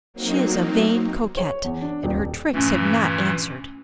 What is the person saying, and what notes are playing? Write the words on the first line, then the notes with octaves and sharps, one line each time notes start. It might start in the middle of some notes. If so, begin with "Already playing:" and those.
She is a vain coquette, and her tricks have not answered.
F#3 A#3 C4 D#4
C#5
E2
D4
D#1
G2 A#2 E3 A3 C#4